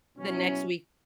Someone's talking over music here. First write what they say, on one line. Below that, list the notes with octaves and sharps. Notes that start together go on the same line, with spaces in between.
The next week
B2 F#3 C#4 E4